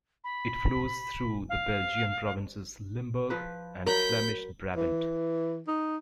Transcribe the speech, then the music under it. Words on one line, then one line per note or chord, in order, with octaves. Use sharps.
It flows through the Belgian provinces Limburg and Flemish Brabant.
B5
F5
F3 B4
F#3 A#4 B5 G6
E3
D#4